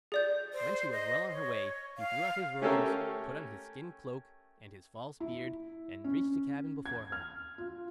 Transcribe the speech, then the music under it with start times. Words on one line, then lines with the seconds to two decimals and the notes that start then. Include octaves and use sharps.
When she was well on her way, he threw off his robes, put on his skin cloak, and his false beard, and reached the cabin before her.
0.12 G#4 D5 G6
0.53 C5
0.92 D#5
1.31 C#5
1.98 F5
2.62 A3 C#4 G4 A4 A#4 C#5
5.20 E4
6.04 C#4
6.86 G#6
7.12 F6
7.58 F4